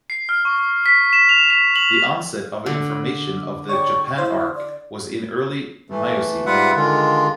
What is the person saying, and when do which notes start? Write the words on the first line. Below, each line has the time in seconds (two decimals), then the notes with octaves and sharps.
The onset of formation of the Japan Arc was in Early Miocene.
0.10 C7
0.29 F6
0.45 C#6
0.86 B6
1.13 E7
1.29 F7
1.50 E7
1.76 F#7
2.66 D3
3.69 C#5 D5 G5 C#6
4.18 E4 C5
4.55 D5
5.90 E3 A3
6.46 G#2 G3 F4 B4 E5 F#5
6.76 D3 D#3 G#3 F4